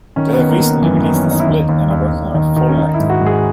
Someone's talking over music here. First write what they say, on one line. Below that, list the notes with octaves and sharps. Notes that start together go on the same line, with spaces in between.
They have recently released a split and are working on a full-length.
D#3 C#4
B3
D#3
A#3
D#3
F#2 E3
B3
D#3
C#4
D#3
D#4
E4
D#2 D#4
D#2
D#2
D#2
D#3
D#3
C#4
D#3 D#4
E4
G#2
F#4
G#2
G#4